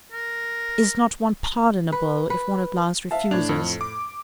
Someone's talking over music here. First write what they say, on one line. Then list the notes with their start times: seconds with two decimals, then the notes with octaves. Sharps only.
Is not one pardonable, if one at last refuses!
0.12 A#4
1.92 B4
2.30 B4
3.11 E5 F5 A5
3.31 A2 D4 G#6 F7
3.49 F2
3.81 D6